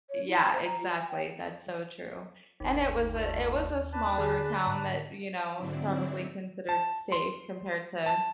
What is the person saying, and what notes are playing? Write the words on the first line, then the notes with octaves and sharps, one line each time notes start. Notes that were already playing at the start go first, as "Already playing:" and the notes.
Yeah, exactly, that's so true. And it was a it was a smaller town that, you know, probably considered safe compared to
C#5
E4
G5
C5
A#5
F4
G#5
G5
G1 D#2
A3 F4 A4
D4 B4 A5
D3 G#4
G#2
G#2 D3 F#3 C4 D4 E4
A5
C6
A5